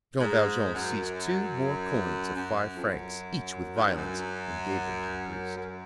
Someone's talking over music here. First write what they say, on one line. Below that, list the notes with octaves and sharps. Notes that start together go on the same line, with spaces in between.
Jean Valjean seized two more coins of five francs each with violence, and gave them to the priest.
G#2
F#2
F#2
F2
F#2
G#2
G2
F#2
F#2